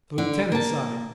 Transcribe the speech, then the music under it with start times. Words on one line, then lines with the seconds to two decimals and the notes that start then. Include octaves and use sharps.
The Lieutenant sighed.
0.18 D3
0.52 A#3 A5